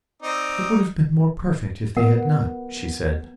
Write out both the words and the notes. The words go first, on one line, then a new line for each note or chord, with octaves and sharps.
"It would have been more perfect if they had not," she said.
C4 D#4 D5
B3 A#4 F#5